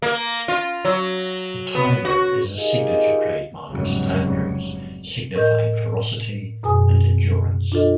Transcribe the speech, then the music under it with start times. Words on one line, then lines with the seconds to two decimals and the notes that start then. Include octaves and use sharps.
The tiger is a signature trademark of Saint Andrew's, signifying ferocity and endurance.
0.02 A#3
0.48 F4
0.85 F#3
1.75 B3
2.05 F#4
2.57 D#4 F4 G4 G#4 A#4 D#5
3.68 F1 E2 G#2 C#3 F#3 G3
5.36 A2 A#4 D#5 G6
6.63 F#2 B2 G#4 G#5 D#6
7.72 D4 F4 A4 D#5